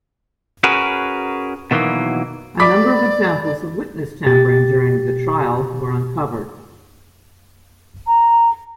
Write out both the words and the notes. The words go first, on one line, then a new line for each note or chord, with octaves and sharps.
A number of examples of witness tampering during the trial were uncovered.
C#4 F#4 G#4 A#4 B4
B2 D#3 E3 F#3 A#3
D5 B5 D6 B6
B2 G4 A6
A#5